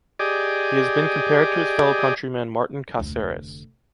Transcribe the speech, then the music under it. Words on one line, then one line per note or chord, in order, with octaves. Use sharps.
He has been compared to his fellow countryman Martin Caceres.
G4 G#4 D5 D#5
F1 D2